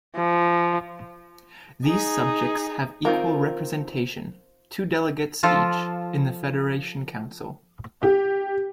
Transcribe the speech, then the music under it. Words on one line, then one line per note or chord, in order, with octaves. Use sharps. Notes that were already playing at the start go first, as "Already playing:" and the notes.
These subjects have equal representation-two delegates each-in the Federation Council.
F3
D#4 G#4
D#3 C4 F4 A#4
F3 F4 A4
G4